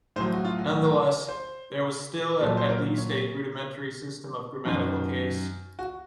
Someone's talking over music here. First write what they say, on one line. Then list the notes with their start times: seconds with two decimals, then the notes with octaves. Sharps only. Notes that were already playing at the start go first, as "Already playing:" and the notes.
Nonetheless, there was still at least a rudimentary system of grammatical case.
0.16 A2 C5
0.20 F#3
0.34 F#4
0.44 F4
0.59 F#4
1.29 C5
2.40 A#2 A4
2.45 F#3
2.57 C5
2.69 A#4
2.98 C#5
4.65 F#2 D#3 F#3 C5
5.79 F#4